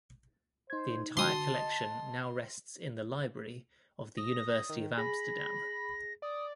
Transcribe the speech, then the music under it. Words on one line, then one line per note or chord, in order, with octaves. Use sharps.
The entire collection now rests in the library of the University of Amsterdam.
D#4 C5 G#6
D3 F#4 A5 C6 D#6
D#5
D#6 A#6
D#3
G#4 B5 A#6
D5 D#6